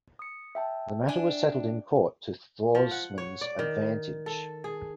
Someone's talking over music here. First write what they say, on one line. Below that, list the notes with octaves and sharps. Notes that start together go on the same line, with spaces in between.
The matter was settled in court to Thorsman's advantage.
D#6 C#7
E5 G5 A5
D4 G#5
F3
F#5
C#5
D5
D#3
A4
G#4